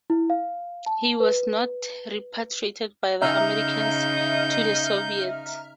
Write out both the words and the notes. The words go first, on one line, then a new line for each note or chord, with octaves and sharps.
He was not repatriated by the Americans to the Soviets.
E4
F5
A5
B4
C#3 D#4 E5 A#5 F6 G6